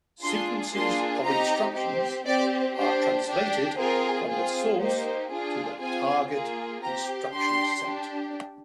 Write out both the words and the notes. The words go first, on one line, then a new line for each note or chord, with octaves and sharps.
Sequences of instructions are translated from the "source" to the "target" instruction set.
D4 F4 G#4 C6
A#3 D4 F4 G#4 C6
C4 D#4 G4 A#5
C4 G4
C4 G4 D5
D4 G4 C5
D4 G4
C4 F4 G#4 A#4
C4 F4 G#4
A#3 D#4 G4 C5
D4 F4 G#4
C4 F4 G#4 G#5
A#3 F4 G#4
C4 G4 A#5
D4 G4 C6
D4 G4